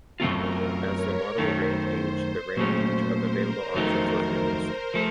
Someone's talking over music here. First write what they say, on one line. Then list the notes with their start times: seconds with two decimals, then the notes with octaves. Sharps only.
As the model range aged, the range of available options was reduced.
0.19 F#2 D#3 A3 C4 F4 A#4
0.80 C#5
1.38 F#2 D#3 A3 C5
1.68 C5
2.57 A#2 F#3 A3 C#4
3.16 A#4
3.74 F2 D#3 F#3 A3 D#4
4.94 F3 A3